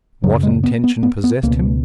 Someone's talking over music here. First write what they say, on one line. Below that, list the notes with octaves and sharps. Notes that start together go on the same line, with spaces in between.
What intention possessed him?
F#2 C#3 F#3
G#3
B3
B3
B3
B3
C#2 B2 A#3